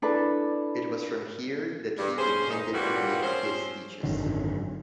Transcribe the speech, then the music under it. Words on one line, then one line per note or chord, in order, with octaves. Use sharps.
It was from here that he intended to make his speeches.
D4 E4 A4 B4
G2
G2 C#4 G#4 C5
D#4
A#2 C#3 E3 G3 B3 F#4
F3 C4 C#4 C5
G#1 F#2 D3 D#3